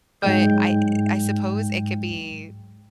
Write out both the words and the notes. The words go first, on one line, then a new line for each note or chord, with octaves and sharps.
But I I suppose it could be
G#2 F#3 G#3 G5 G6